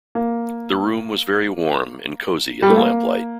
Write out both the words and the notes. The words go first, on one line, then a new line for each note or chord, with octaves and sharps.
The room was very warm and cosy in the lamplight.
A#3
G3
A3
A#3